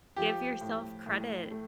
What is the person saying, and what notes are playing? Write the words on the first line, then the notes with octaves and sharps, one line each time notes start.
Give yourself credit,
F3 G4
A2
A2
A3